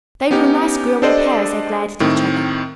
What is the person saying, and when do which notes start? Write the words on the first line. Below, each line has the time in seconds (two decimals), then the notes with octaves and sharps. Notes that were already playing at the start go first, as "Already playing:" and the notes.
They were a nice agreeable pair as they glared at each other.
0.31 B3 C#4 D#4 G4
1.02 D4 G4 A4 C5 D5 D#5
2.00 A2 D#3 C4